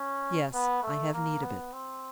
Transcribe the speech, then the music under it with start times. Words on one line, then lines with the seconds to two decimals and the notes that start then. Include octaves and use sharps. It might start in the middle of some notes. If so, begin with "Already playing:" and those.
"Yes, I have need of it."
Already playing: C#4
0.53 B3
0.82 A3
1.13 A#3
1.43 B3
1.73 C4